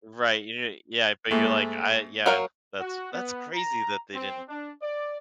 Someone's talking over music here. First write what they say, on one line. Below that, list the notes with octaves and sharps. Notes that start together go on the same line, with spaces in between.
Right, yeah yeah, but you're, like, I yeah, that's that's crazy that they didn't.
G#2 A3 A#3
F#3 A#4 F5
F#4
B3
A#5
C4
D4
D5